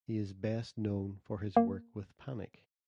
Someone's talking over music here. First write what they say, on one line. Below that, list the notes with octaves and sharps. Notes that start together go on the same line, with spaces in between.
He is best known for his work with Panic!
A#3